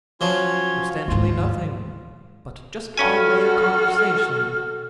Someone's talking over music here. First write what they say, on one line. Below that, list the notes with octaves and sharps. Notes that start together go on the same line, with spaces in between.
"Substantially nothing--but just by way of conversation."
F3 F#3 C#4 F4 C#5
D#2 G#2 F4
G2 C#4 F#4 A4 G#5 F6